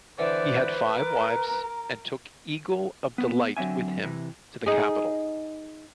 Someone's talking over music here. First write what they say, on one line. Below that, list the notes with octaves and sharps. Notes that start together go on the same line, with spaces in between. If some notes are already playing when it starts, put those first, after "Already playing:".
He had five wives, and took Eagle of Delight with him to the capital.
D3 E3 B4 C5 D5
A#4 A#5 D6
B3
D3 F#3 C4 E5 G#5
C3 E3
D#4 G#4